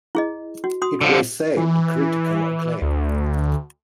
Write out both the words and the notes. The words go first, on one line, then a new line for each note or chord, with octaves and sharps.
It received critical acclaim.
E4 G#4 D#5
F#4
F#4 C6 D#6
D3 F3
E3
D2